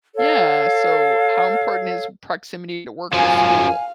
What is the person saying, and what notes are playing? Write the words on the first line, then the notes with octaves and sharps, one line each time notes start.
Yeah, so how important is proximity to work or school
A4 C#5 F5
F#2 F3 F5 G#5